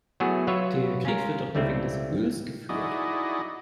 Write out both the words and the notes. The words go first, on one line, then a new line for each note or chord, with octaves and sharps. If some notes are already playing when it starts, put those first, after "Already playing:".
Der Krieg wird doch nur wegen des Öls geführt.
F#3 A3 B3 E4 F#4 G#4
F#3 F4 B4 C#5 E5
C#4 F4 A#4
C#2 G3 A3 C4 E4
D#4 E4 F#4 G#4 D5 D#5